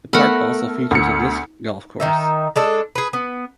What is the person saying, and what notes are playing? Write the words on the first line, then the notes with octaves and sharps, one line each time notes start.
The park also features a disc golf course.
A3 B3 A#4 F#5 B5 E6 F6
D2 C#7
D#3 D#4 E5
G#3 D4 A4
G#4 B4
B3